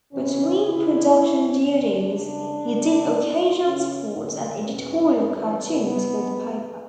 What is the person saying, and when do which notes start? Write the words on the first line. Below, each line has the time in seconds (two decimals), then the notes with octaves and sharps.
Between production duties, he did occasional sports and editorial cartoons for the paper.
0.12 E2 C#3 E3 C#4
0.62 D2 C#3 E3 E4
1.12 F#2 D3
1.62 D2 D3 D4
2.12 F#2 C#3 E3 D4
2.64 F#2 C#3 E3
3.13 D2 D3
3.64 F#2 C#3 E3 C#4
4.13 F#2 D3
4.64 E2 B2 C#4
5.14 G2 E3
5.64 E2 C#3 E3 B3
6.14 G2 E3